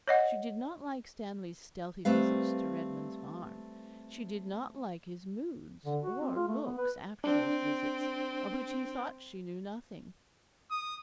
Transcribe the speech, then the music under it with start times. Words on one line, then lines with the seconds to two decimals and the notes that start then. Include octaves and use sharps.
She did not like Stanley's stealthy visits to Redman's Farm; she did not like his moods or looks after those visits, of which he thought she knew nothing.
0.08 C#5 D#5 F#5
2.05 G3 A3 C4 B4 F5
5.86 D3
6.03 F#4
6.21 C4
6.36 F4
6.48 A3
6.65 B3
6.78 B4
7.24 C4 D4
10.71 D#6